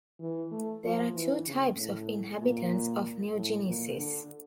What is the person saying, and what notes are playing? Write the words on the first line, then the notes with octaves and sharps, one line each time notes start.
There are two types of inhabitants of New Genesis.
E3
A3
F3
E3
C#3
A2
A#2
A2
A#2
D3